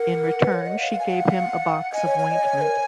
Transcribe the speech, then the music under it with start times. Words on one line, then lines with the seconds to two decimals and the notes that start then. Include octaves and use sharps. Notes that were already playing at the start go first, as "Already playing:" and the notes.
In return, she gave him a box of ointment.
Already playing: A#4 F#5
0.40 B4
0.53 C#5
0.66 D#5
0.78 F5
0.91 F#5
0.99 G#5
1.07 F#5
1.92 D#5 G#5
2.05 C#5
2.19 C#5
2.31 D#5
2.43 C#5
2.61 A#4